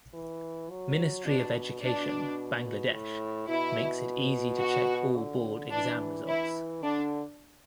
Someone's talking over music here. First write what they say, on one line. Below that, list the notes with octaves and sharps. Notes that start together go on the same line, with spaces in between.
Ministry of Education, Bangladesh makes it easy to check all Board exam results.
E3
F#3
B2 D4
B2 D4
A2
B2 E4
F#4
D3
E3 D4
E4
D3 D4